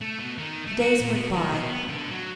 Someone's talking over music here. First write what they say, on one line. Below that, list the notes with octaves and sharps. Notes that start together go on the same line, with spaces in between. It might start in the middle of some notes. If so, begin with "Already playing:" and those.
The days went by.
A3
B2
D#3
A3
F#4
A#2
B2
D#3
B2
B3
D3
F#3